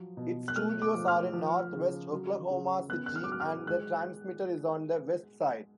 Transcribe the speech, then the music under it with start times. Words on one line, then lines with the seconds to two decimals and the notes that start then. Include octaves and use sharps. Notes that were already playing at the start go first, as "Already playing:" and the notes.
Its studios are in Northwest Oklahoma City, and the transmitter is on the Westside.
Already playing: F3 F#3
0.17 B2
0.48 F#6
0.56 A3 F6
0.82 D6
0.95 F3
1.08 F6
1.33 F3
1.73 C#3
2.12 F#3
2.50 C#3
2.89 B3 F#6
3.06 F#6
3.16 F6
3.24 D6
3.28 F#3 F6
3.40 F6
3.67 G#3 F#6